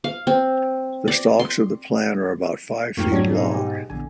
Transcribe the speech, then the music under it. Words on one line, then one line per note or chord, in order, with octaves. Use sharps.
The stalks of the plant are about five feet long.
F5
C4
D5
C6
F2 G#2 A3 A#3 F4 G5
G#2 F#3 D4 G#6
B2 D#4 G#4
G4
A#1 E2 D3 G#5